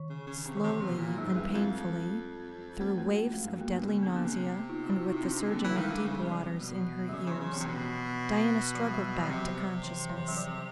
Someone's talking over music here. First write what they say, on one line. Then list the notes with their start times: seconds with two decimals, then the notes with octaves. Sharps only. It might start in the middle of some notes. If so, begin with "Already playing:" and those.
Slowly and painfully, through waves of deadly nausea and with the surging of deep waters in her ears, Diana struggled back to consciousness.
Already playing: D#3
0.09 C#3
0.27 C#3
0.46 C3
0.57 D#3
0.64 C3 E3
0.82 B2
0.95 A2
0.99 A#2
1.18 G#2 F#3
1.36 G2 G3
1.46 E2
1.54 F2 G#3
2.79 F2 A3
2.98 F#2 A3
3.16 F2 A3
3.28 E2
3.34 F2 G#3
3.43 G2
3.52 F#2
3.61 A#3
3.71 G2 B3
3.88 C#3 A#3
4.03 D3 B3
4.16 A#3
4.24 C3
4.69 D#4 F4
4.84 F4
4.96 E4 F#4
5.09 D#4 F4
5.23 C4 D4
5.37 C4
5.50 D3 A#3
5.64 E3
5.70 G3
5.77 D#3 G#3
5.91 D3
6.05 C#3 G3
6.23 C3
6.31 F3
6.59 B2
7.09 F#3
7.13 C#3 F3
7.26 C#3 E3
7.40 C#3
7.49 C3 E3
7.60 C3
7.67 B2
8.75 F3
8.86 G3
8.93 F#3
9.11 F#3
9.22 F3
9.29 C3 F#3
9.83 E3
10.10 E3
10.28 F#3
10.37 F3